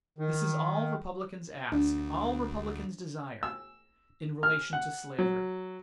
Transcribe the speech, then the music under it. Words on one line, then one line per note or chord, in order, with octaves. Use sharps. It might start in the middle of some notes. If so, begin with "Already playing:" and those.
This is all Republicans ask--all Republicans desire--in relation to slavery.
D#3
D2 D4
E6
F6
F#5
F#3